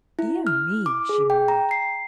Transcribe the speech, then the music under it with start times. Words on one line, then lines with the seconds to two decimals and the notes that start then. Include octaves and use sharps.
"Dear me!" she murmured.
0.19 E4
0.47 F6
0.86 D6
1.09 G#4
1.30 G5
1.48 A#5
1.71 C7